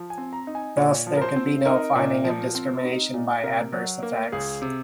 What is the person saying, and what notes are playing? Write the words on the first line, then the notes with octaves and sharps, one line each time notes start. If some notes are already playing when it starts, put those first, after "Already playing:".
Thus, there could be no finding of discrimination by adverse effects.
Already playing: F3
G#5
C4
A#5
D#4
G#5
A#2 C#5
F3
A#4
C5
C4
D#4 A#4
A#2
F3
C4
D#4
A#2
C3 A#4
F#3
A#3
C#2 G#4
C3